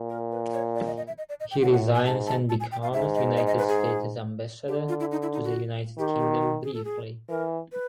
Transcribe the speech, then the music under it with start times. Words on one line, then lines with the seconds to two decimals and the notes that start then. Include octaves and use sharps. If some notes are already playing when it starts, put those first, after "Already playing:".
He resigns and becomes United States Ambassador to the United Kingdom briefly.
Already playing: A#2
0.10 A#4
0.31 B4
0.54 C#5
0.75 D5
0.87 D#5
0.97 D#5
1.07 E5
1.18 D#5
1.29 D5
1.40 D#5
1.51 G5
1.62 A2 F#5
1.73 F#5
1.95 G#5
2.06 G#2 A5
2.27 A5
2.49 A5
2.60 G#5
2.72 G5
2.83 F5
2.93 G#2 E5
3.15 D#5
3.37 D#5
3.47 D#5
3.58 B4
3.69 G#4
4.68 D3 G4
4.89 F4
5.00 E4
5.11 D#4
5.22 E4
5.33 D#4
5.44 F#4
5.98 D#3 G4
6.20 G4
6.41 F#4
6.63 G#4
6.74 A4
6.84 G#4
7.29 E3 A#4
7.72 B4